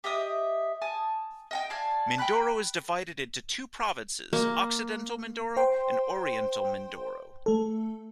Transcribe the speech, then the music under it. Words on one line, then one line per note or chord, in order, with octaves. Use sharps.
Mindoro is divided into two provinces Occidental Mindoro and Oriental Mindoro.
G4 D#5 E5 D#6
G#5 A5 D#6
D#5 F#5 G5
D5 F5 G#5 A5
G5 G#5 B5 F#6
A#3
C5 G5 C6
A3 A4